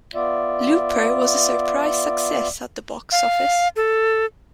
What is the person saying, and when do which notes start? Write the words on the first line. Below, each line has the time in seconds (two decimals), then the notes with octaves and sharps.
"Looper" was a surprise success at the box office.
0.15 B3 F4 D5 E5
3.12 F5
3.76 A4